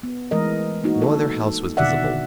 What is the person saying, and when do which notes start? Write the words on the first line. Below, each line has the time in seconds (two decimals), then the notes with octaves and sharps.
No other house was visible.
0.03 B3
0.31 E3 G#3 A3 A#4 D#5
0.84 A#3 D#4 F#4
1.02 A4
1.77 B2 D3 D#3 D5 E5 F#5